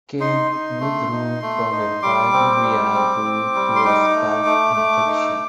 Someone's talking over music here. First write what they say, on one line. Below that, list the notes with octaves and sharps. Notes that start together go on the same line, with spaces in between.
Ken withdrew from the fight with Rea due to a staph infection.
D#4 C6
D#4
A3
D#4
A3
D#4
G3 D6
C4
G3
C4
C4
G3
C6
D#4 D6
A3
A3
A3
D#4